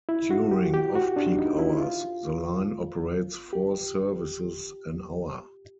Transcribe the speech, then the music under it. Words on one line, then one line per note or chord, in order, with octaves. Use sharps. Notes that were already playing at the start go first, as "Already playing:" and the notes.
During off peak hours, the line operates four services an hour.
E4
F#4
G4
G4
F#4
D4
D#4
E4
F4
G4